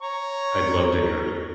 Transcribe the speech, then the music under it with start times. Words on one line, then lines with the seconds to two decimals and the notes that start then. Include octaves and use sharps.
I'd love to hear it.
0.02 C#5 A#5 C#6